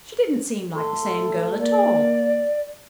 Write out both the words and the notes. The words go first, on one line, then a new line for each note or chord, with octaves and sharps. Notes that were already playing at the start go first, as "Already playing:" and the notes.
She didn't seem like the same girl at all.
A2 A3 A4 C6
A#3 D5